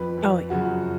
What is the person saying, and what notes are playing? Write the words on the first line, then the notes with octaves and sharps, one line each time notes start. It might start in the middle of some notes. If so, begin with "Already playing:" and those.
Oh, yeah.
Already playing: F2 F3 B4
F2 F3
F#2 C#3 F3 F#4